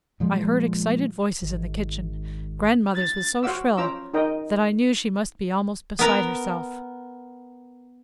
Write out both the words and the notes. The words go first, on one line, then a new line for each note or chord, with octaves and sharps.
I heard excited voices in the kitchen--grandmother's was so shrill that I knew she must be almost beside herself.
A#2 F3 G#3
G#1
A6
F#4 C5 F5 F#5 D6 E6
C#4 F4 C5 A#5 D6 E6
D#4 A#4 D#5 G5
B3 A#4